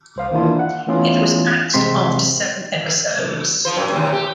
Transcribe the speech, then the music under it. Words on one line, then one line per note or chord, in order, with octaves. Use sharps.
It was axed after seven episodes.
C2 C5 F5
D#3 E3 A#3 D4 E4 F4
F#5
E3 A3 B3 C#4 E4 F4
A1 C3 G#3 C4 C6 B6
F3 C5
F#2
D#2 C3
G4